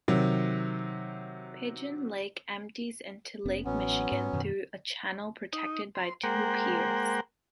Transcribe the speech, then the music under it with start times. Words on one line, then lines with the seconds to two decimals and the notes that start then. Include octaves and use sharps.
Pigeon Lake empties into Lake Michigan through a channel protected by two piers.
0.08 C3 D#3 F#3
3.45 F1 B3 C#4
3.65 A1 F#3 B3 C#4
4.12 G#2
4.33 F#2 B2 D#3
5.53 D#4
5.95 C6
6.23 G#3 A#3 A#4 C5 F#5 G5